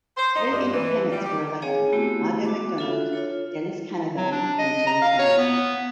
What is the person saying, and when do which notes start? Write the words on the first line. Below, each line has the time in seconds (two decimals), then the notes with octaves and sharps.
Three independents were elected: Margo MacDonald, Dennis Canavan and Jean Turner.
0.17 C5
0.36 D#4
0.51 G2
0.73 E3
1.11 G3
1.25 G4
1.62 C4 G#4 C#5 F5 G#5
1.93 A3 B3 E4 F#4 G4
2.45 F#4 D6
2.77 D4 F4 F#4 A4 E5
3.13 F4 A4 C#5
4.17 F#3
4.32 D4
4.58 D#5
4.87 A#5
5.02 F5
5.19 C#5
5.38 B3